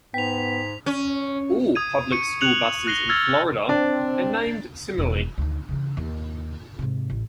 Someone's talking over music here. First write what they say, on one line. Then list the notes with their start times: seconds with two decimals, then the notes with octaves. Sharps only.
All public school buses in Florida are named similarly.
0.14 G#2 B3 G5 B6 F7
0.86 C#4
1.75 D#6 G#6 D#7
2.12 C#6 C#7 D#7
2.41 F#6 C#7 F7 F#7
2.87 F#6 A#6 C7 G7
3.09 E6 F6 G#6 A6
3.69 C4 D4
4.98 E1
5.38 D2 D#3
5.69 C#3 E3
5.97 D#2
6.79 G#2 C3
7.10 A1